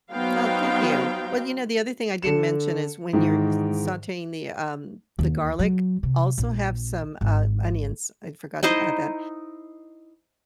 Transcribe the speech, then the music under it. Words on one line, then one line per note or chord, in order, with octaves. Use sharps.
Well, thank you. Well, you know, the other thing I didn't mention is when you're s sauteing the, um, the garlic, also have some, uh, onions. I forgot to add that.
F#3 B3 D#4 C5 F5 G5
D3 A4 C#7 E7
G#2 D#3 E3
D#2
F#3
C3
A#1
G#1
D#4 E4 C5 D#5